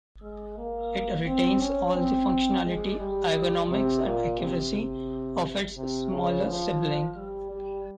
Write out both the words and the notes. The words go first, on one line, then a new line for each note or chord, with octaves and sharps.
It retains all the functionality, ergonomics and accuracy of its smaller sibling.
G#3
A#3
C4
C#4
C4
G#3
G3
C3
A#2
C3
C3
C#3
F3
G3
G3